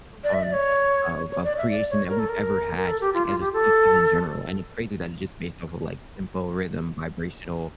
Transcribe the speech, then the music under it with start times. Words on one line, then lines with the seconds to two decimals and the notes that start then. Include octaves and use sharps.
form of of creation that we've ever had, just like as a species in general, and it's crazy that it's just based off of like tempo, rhythm, vibrational,
0.24 D5
0.34 E5
0.43 D5
0.53 C#5
1.31 C#5
1.44 D5
1.58 E5
1.70 D5
1.90 C#5
2.09 A#4
2.19 A4
2.29 A#4
2.77 A#4
2.88 A4
3.01 G4
3.14 F4
3.27 F4
3.40 G4
3.53 A4